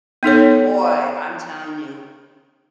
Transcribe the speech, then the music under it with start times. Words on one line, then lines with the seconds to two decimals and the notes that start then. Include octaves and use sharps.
And boy, I'm telling you,
0.23 B3 D#4 A4 C#5